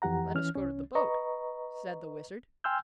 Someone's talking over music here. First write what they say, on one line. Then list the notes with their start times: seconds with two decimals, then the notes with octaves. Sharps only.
"Let us go to the boat," said the Wizard.
0.02 F2 E3 G4 F#5 A#5
0.35 E3 C#4 F6
0.55 C2 C#4
0.95 B4 D#5 A#5 C#6
2.64 G5 G#5 C6 E6 F6 G6